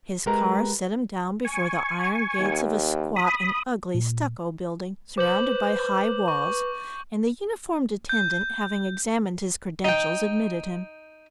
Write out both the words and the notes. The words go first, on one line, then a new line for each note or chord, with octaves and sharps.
His car set him down before the iron gates of a squat and ugly stucco building, surrounded by high walls, and the uniformed attendant, having examined his credentials, admitted him.
G#3 G4 A#4 B4 A#5
G#5 C#6
D#2
B5 D#6
A#2
B4 C5 D6 G6 F#7
C#6
G6
D#4 G5